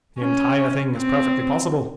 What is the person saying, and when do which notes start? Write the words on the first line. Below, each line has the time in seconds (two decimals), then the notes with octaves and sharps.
The entire thing is perfectly possible.
0.20 C#4
0.97 C4